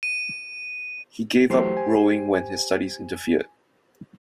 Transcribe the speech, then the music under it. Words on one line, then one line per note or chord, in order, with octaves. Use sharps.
He gave up rowing when his studies interfered.
D#7
E3 F#3 A3 G4 C5
G#5